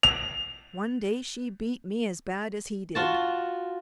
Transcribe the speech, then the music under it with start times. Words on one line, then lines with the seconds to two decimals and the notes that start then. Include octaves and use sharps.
One day she beat me as bad as he did.
0.03 F7
2.95 F4 F#4 A5